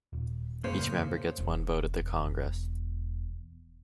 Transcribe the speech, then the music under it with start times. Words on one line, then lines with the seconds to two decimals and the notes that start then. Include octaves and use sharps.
Each member gets one vote at the Congress.
0.13 D#1
0.64 F#2 A2 C#3 A#3 C5
1.38 E1 E2